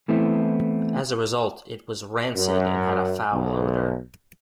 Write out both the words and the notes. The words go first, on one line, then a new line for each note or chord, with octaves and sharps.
As a result, it was rancid and had a foul odor.
E3 A3 B3 C4 E4
F#2
B1